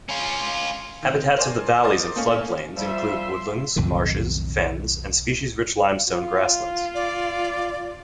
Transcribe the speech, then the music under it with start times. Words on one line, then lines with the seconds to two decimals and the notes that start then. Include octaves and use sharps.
Habitats of the valleys and floodplains include woodlands, marshes, fens and species-rich limestone grasslands.
0.09 C#4 F4
1.03 D#3 C4
1.37 A#4 C5 D5 G#5
1.84 A#4 C5 D#5 D6 D#6 A6
2.16 A3 A#3 C#4
2.76 F3 G3 E5 C6
3.76 B1 F2 A2 D#3
6.09 F4
6.95 D5